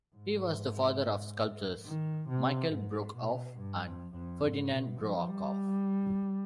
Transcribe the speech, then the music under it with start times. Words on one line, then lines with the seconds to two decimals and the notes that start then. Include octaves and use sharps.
He was the father of the sculptors Michael Brokoff and Ferdinand Brokoff.
0.15 G#2
1.86 D#3
2.28 C3
2.71 G#2
3.14 B2
3.56 G2
3.85 F2
4.13 F2
4.42 G#2
4.71 B2
4.99 F3
5.27 G3